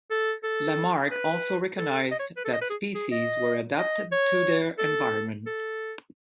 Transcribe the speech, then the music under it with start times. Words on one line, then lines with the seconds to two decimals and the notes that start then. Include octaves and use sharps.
Lamarck also recognized that species were adapted to their environment.
0.10 A4
0.44 A4
1.11 B4
1.78 A4
2.11 D#5
2.19 C#5
2.37 B4
2.45 A4
2.53 D#5
2.61 B4
2.70 G#4
2.95 G#4
3.12 D#5
3.78 D#5
4.12 C#5
4.78 A4
5.46 A4